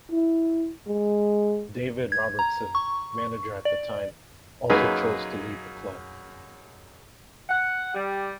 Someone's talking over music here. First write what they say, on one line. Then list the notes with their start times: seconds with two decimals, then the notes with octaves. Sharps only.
David Robertson, manager at the time, also chose to leave the club.
0.11 E4
0.87 G#3
2.12 G#6
2.39 A#5
2.75 C#6
3.65 D5
4.70 F#2 A#3 D#4 G#4 B4
7.48 F#5
7.94 G3